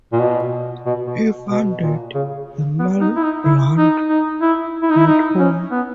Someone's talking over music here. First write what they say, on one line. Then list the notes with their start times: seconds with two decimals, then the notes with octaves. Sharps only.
He founded the Mel Blount Youth Home.
0.12 A#2
0.20 B2
0.86 B2
1.07 B2
1.50 B2
1.83 A#2
2.15 C#3
2.79 B3
3.01 D#4
3.16 E4
3.23 D#4
3.44 E4
3.78 D#4
4.09 D#4
4.41 E4
4.82 E4
4.90 D#4
4.97 E4
5.07 D#4
5.39 C#4
5.71 B3